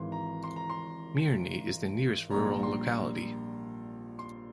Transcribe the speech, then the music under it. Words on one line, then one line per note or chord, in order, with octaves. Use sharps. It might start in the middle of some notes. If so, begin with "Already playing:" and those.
Mirny is the nearest rural locality.
Already playing: G#1 G#2 E3 C6
A#5
C6
A#5
C6
A#1 A#2 G3 A#5
C6
C6